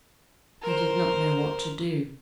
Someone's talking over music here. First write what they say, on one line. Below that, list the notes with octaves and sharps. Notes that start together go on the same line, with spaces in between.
He did not know what to do.
A#4 C5